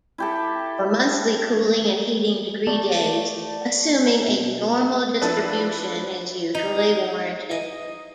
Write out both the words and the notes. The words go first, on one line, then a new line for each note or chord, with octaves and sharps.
For monthly cooling and heating degree days, assuming a normal distribution is usually warranted.
E4 G4 A4
A3 D5 A5
B2
F3 D4 E4 A4 B4
D#4
D#5